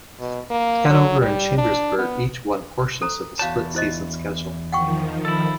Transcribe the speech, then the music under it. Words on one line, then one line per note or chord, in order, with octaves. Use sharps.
Hanover and Chambersburg each won portions of the split season schedule.
B2
A#3
F#3
G3
D4
B3
A4 C5 A#5
E2 F#4 C#5 F5 A5
E4 C5 D#5
D#3 F3 F#5 G5 C#6
E4 A4